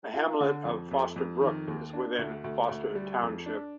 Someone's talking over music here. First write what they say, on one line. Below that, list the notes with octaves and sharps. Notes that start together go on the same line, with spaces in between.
The hamlet of Foster Brook is within Foster Township.
F4
D3
F2
F2
F2
D#3
D#2
D4
D2
D2
D2
G3
F2
D4